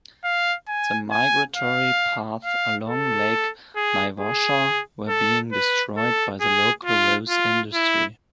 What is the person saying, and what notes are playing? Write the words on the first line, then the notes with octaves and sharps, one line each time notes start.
The migratory paths along lake Naivasha were being destroyed by the local rose industry.
F5
G#5
G#5
F5
F5
A4
G#4
G#4
A4
B4
A4
G#4
F4
F4
E4